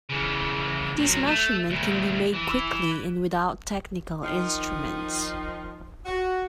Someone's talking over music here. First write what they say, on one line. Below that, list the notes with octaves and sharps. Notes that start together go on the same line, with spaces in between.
This measurement can be made quickly and without technical instruments.
C#3 E3
A#2 F#3
A3
D2 A#2
E3
D#3 F3 D#4
F#4